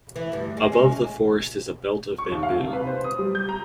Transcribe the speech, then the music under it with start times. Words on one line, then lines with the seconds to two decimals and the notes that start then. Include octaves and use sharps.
Above the forest is a belt of bamboo.
0.16 E3
0.32 D2 G2
0.57 G#3
0.72 G#3 C#4
2.18 C#6
2.31 D#2
2.43 F5
2.59 C3
2.73 B4
2.87 C5
3.04 D#6
3.19 G3
3.35 G6
3.49 A#5